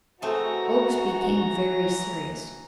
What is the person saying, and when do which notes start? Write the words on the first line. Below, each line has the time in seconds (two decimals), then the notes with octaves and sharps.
Oakes became very serious.
0.22 B2 E3 A3 C4 F#4 G#4 A#5